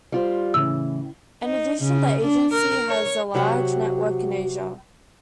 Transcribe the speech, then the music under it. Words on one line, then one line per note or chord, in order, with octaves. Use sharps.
In addition, the agency has a large network in Asia.
G3 F4 C5
A2 C#3 E3 C#4 E6
D#4
C#3
D4
A#4
C#5
C3 F#3 F#4 G4 C5 F#5